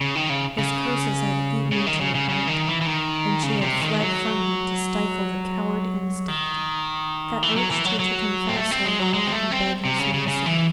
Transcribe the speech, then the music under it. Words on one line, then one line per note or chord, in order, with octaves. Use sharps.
His curses had eaten into her heart, and she had fled from him to stifle the coward instinct that urged her to confess her love and beg his mercy.
C#3
D#3
C#3
C#3
C#3
D#3
C#3
C#3
C#3
D#3
E3
E3
D#3
C#3
C3
D#3
F#3
D#3
E3
F#3
E3
F#3
F#3
C4
A3
C4
G#3
F#3
G#3
C4
A3
C4
C3
C#3
C#3
C#3
E3